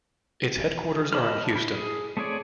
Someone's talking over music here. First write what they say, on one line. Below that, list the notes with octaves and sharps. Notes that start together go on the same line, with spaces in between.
Its headquarters are in Houston.
D#5 A5 B5 F6
E4
G#4
A3 C4 G#4 C#5 D5